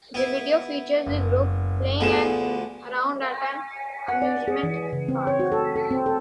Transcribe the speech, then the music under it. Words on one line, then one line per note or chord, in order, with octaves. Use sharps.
The video features the group playing around at an amusement park.
B3 E4
F#1
D2 D3 F3 B3 G#4 E7
F#5
D5
G#4
E3
C#3
C4
C#5
F#4
A4
A4
C4
A4